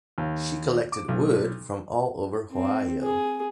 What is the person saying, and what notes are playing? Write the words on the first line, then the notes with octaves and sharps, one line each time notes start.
She collected wood from all over Ohio.
D#2
D6
B1
C4
G#4